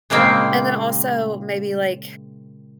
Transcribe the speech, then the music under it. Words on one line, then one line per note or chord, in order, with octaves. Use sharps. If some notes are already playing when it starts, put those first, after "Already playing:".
and then, also maybe, like,
A#2 C#3 G#3 A#3 C4